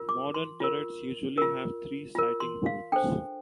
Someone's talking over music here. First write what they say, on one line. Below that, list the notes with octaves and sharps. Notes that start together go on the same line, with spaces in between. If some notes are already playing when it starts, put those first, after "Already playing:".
Modern turrets usually have three sighting-hoods.
Already playing: F4 A#4
D6
C6
F4 A#4
F4 A#4
F4 A#4
C6
F5
D4 A4 C5 G5